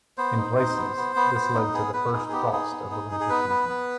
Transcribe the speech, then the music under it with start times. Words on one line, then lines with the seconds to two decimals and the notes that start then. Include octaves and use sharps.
In places, this led to the first frost of the winter season.
0.18 B3 C5
0.37 D#4
0.58 D#4
0.76 B3
0.97 B3
1.16 B3
1.35 B3
1.54 D#4
1.74 B3 G#4
1.93 B3 B4
2.13 D#4 G#4
2.28 G#4
2.32 B3 G4
2.52 D#4 G#4
2.71 B3
2.91 D#4
3.11 D#4
3.20 G#4
3.30 B3 B4
3.50 B3
3.69 B3